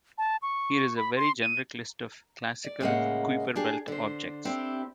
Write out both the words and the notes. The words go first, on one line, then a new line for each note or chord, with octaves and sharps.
Here is a very generic list of classical Kuiper belt objects.
A5
C#6
B5
C6
D#7
D5
A2 C#3 G#3 A#3 D#5 F#5
D4 G4 G#4
D3 C5
C4 D4 E4 G4